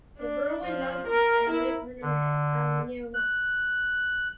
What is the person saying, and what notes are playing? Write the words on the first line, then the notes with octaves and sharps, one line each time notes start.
The Berwyn Mountains and Lake Vyrnwy are nearby.
D4
F3
A#4
E4
D3
F#6